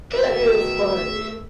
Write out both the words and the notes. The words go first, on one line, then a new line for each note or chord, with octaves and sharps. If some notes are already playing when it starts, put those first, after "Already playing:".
That is funny.
B2 D#3 A3 A#4 D5 E5